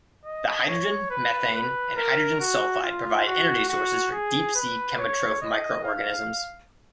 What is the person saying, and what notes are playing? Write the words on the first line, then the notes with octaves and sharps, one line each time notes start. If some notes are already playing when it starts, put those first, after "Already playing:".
The hydrogen, methane, and hydrogen sulfide provide energy sources for deep sea chemotroph microorganisms.
D#5
C#5
B4
B4
A#4
F#4
F4
F#4
F#4
G#4
B4
C#5
D#5
F5